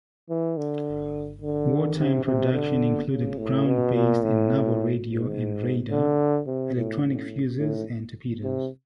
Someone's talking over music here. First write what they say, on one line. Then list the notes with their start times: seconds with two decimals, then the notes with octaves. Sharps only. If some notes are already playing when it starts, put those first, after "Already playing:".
Wartime production included ground-based and naval radio and radar, electronic fuses, and torpedoes.
0.30 E3
0.57 D3
1.42 D3
1.98 C3
2.25 C3
2.53 D3
3.10 C#3
3.38 A2
3.66 B2
3.94 A#2
4.23 A2
5.07 G#2
5.91 D3
6.47 C3
6.76 A2
7.03 A2
7.59 A2
8.44 C3